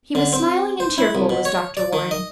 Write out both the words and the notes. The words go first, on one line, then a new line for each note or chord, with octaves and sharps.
He was smiling and cheerful, was Dr. Warren.
D3
C4
C5
E4
C2
B2
C#5
D5
D#3
D#5